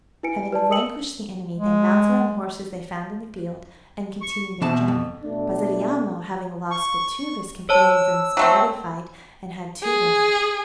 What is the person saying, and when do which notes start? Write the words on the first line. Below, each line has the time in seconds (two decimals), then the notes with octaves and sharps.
Having vanquished the enemy, they mounted on horses they found in the field, and continued their journey; Brasiliano having lost but two of his companions in this bloody fight, and had two wounded.
0.23 E4 B4 G#5 C#7 D7
0.52 B4 D5 A5
0.70 A#4 B4 D#6 E6 C#7 F#7
1.57 G#3
4.20 C#6
4.61 B2 E3 B3 C4 A5
4.88 F2
5.23 B2 A3 D4
6.71 C#6
7.69 C5 C#5 A5 E6
8.37 F#3 A3 C4 A#5
9.82 G#4